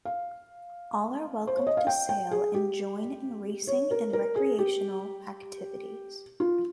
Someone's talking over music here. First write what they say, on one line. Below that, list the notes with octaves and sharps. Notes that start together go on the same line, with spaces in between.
All are welcome to sail and join in racing and recreational activities.
F5
C5
C#5
D#5
F5
G5
G5
G#4
G4
C#5
A#4
A#4
G#4
G4
F4